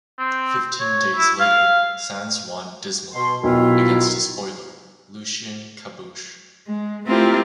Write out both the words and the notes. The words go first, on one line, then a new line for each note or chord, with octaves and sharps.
Fifteen days later Sands won, dismally, against a spoiler, Lucien Caboche.
C4
C#5
E4
F5
B2 C6
B1 D#3 E4 F4
G#3
A3 C4 E4 F4 G4 A#4